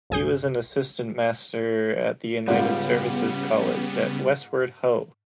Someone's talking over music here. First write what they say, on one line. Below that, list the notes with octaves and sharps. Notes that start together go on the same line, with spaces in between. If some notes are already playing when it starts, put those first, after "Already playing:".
He was an assistant master at the United Services College at Westward Ho!
G1 C2 G#5 D#6 G6 C7
G#2 C#3 G3 B3 F4